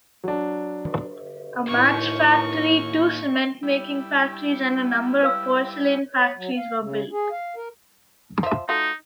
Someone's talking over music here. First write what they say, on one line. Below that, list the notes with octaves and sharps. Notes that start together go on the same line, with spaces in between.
A match factory, two cement-making factories, and a number of porcelain factories were built.
F#3 D4
A2 A#3 D#4 C#6
G3 E4
B4 F5 E6
C#5
F#3
F5
C#3
G#4
F5
A#4
F3 E5
A3 D#4 F4 F#4